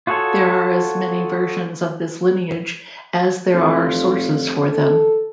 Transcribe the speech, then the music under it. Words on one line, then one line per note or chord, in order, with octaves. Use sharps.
There are as many versions of this lineage as there are sources for them.
F4 F#4 G#4 A4 C#5
F1 F4
A4